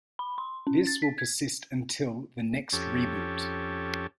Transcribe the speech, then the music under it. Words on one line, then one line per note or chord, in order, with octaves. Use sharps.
This will persist until the next reboot.
B5
C6
C#4
A6
B6
G#6
F2 C#4 G4 A4